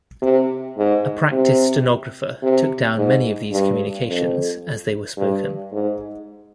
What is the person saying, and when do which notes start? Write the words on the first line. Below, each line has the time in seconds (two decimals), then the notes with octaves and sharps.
A practiced stenographer took down many of these communications as they were spoken.
0.22 C3
0.77 G#2
1.32 C3
2.42 C3
2.97 G#2
3.52 G2
4.07 F2
5.17 G2
5.72 G#2